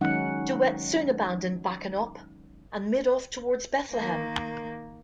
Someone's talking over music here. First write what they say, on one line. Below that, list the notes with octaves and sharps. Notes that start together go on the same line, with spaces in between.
De Wet soon abandoned Bakenkop and made off towards Bethlehem.
D#3 F#3 G#3 C#4 D#4 F#5
D#3 A#3